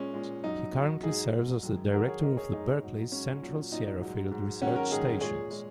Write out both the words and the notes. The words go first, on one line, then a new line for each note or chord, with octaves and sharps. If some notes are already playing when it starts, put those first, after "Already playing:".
He currently serves as the director of Berkeley's Central Sierra Field Research Stations.
Already playing: A#2 G#3 C#4
A#2 G#3
F#2 F#3 D#4
F#2 F#3
G#2 F#3 D#4 G#4
G#2 F#3
F#2 D#3 G#3
F#2 D#3 G#3 F#4 A#4
G#4 C#5
G#2 G#3 A#4 D#5
G#4 C#5
G#2 G#3 D#4 G#4
G#2 F#3
G#2 F#3 C#4
A#2 F#3
A#2 F#3 D#4
G#2 F#3
G#2 F#3
G#2 D#3 F#3 C#4 F#4
F#4 A#4
G#2 D#3 F#3 D#4 G#4
A#2 G#3 G#4 C#5
A#2 G#3